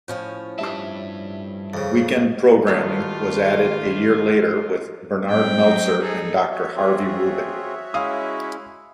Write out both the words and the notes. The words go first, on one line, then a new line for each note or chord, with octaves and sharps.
Weekend programming was added a year later with Bernard Meltzer and Doctor Harvey Ruben.
A2 F3 C#4
G2 G3 E5 A5
F2 C#3
D#3 F#3 A3 B3 F4 G4 B4 F5
A2 G3 C4 G5
F#3 D#4
D#4 G#4 A4
F#4 C#5 E5
C4 F4 G#4
G#3 C#4 E4 F5 D#6